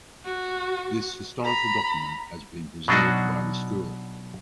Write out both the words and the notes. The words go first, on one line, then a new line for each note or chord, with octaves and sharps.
This historical document has been preserved by the school.
F#4
A#5 B5
B2 F#3 D4 D#4 F#4